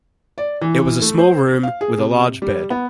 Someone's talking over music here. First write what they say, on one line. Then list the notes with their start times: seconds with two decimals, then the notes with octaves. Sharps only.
It was a small room with a large bed.
0.38 D5
0.61 E3
1.02 A3
1.19 C5
1.63 F5
1.81 G#4
1.98 C3
2.42 G3
2.70 B3